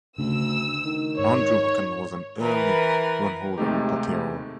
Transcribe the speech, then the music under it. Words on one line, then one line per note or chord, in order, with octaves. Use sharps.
Andrew Buchanan was an early runholder in Patearoa.
D2 C#3 E6
D#3
G#2 C#5
E3 A#4 B4
D#2 C3 G#3 A3 D#4 G4